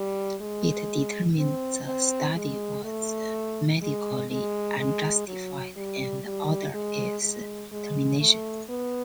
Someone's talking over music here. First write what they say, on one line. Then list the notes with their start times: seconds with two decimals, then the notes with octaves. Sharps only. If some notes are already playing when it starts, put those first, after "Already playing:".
It determined the study was medically unjustified and ordered its termination.
Already playing: G3
0.41 G#3
1.38 C4
1.87 C4
2.36 G#3
2.84 A3
3.82 G#3
4.31 G#3
4.79 G#3
5.27 F#3
5.77 G3
6.25 G3
6.74 G#3
7.23 G#3
7.72 G#3
8.20 A3
8.69 B3